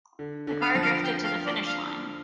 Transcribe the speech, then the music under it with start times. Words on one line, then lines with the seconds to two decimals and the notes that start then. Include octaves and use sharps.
The car drifted to the finish line.
0.19 D3
0.47 D3
0.62 F5
0.75 F3
0.83 F5
1.04 G5
1.24 F5
1.46 D5
1.67 F5